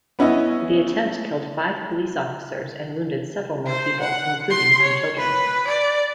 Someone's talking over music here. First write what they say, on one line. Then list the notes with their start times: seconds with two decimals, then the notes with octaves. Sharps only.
The attempt killed five police officers and wounded several more people, including some children.
0.19 B3 C#4 E4 D#5
3.66 C5
4.00 F#5
4.50 C6
4.82 C#5
5.17 B4
5.67 D5